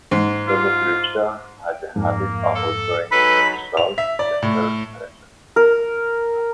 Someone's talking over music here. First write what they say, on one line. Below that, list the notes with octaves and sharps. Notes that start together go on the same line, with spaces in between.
Lollobrigida has a habit of referring to herself in the third person.
G#2
F4
F2 G#2 A#3
A4
F#3 G#3 D#4 A4 B4 B5
F7
E5
D5
A2
A#4